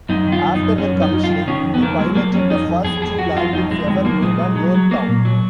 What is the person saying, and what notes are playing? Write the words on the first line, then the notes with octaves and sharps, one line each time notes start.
After her commissioning, he piloted the first two landings ever made on "Yorktown".
F#2 D#4
D#3
F4
F#2
D#4
F#2
F#2 C#4
F#2
D#4
F#2
F4
D#3
D#3 C#4
F2
B3
D#3 A#3
F#3 G#3
F#3 A#3
F2 C#4
F2 D#4
F2
F2 G#4
F2 G#4
F2 F#4
F#3 F4
F2 D#4
F2 G#3
D#3 G#3
F#3 A#3
A#2 G#3
F#3
F#3
F#3
F#3 A#3
A#2
F#3